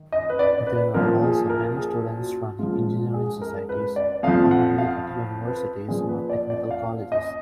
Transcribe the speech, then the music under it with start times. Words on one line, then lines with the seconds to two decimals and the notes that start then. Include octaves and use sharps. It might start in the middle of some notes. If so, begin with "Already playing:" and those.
There are also many student-run engineering societies, commonly at universities or technical colleges.
Already playing: D#3
0.12 D#5
0.30 B4
0.39 D5
0.67 B4
0.94 A#2 F3 A#4
1.22 G#4
1.50 A#4
1.77 G#4
2.18 F#4
2.59 G#2 F3 F4
3.14 G#4
3.42 A#4
3.69 B4
3.96 D5
4.23 F2 F5
4.28 F3
4.51 F#5
4.78 F5
5.47 B4
5.88 A#2 F3 G#4
6.09 B4
6.29 D5
6.50 D5
6.71 F5
7.12 D#5